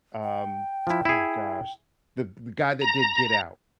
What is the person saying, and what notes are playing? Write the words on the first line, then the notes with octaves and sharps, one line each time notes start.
uh, um, oh gosh. The the guy that did Get Out.
G5
F3 E4
E4 G#4
A#5